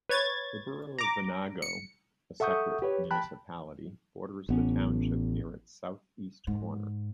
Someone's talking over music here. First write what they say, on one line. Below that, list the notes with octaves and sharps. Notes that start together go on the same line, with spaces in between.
The borough of Venango, a separate municipality, borders the township near its southeast corner.
B4 C#5 G#6 A6
A#5 D6
C#7
A4 E5 F#5 C#6 D#6 G6
G4 B4 C#5
G5 A5 B5 F#6
A1 B3 C#4
G#2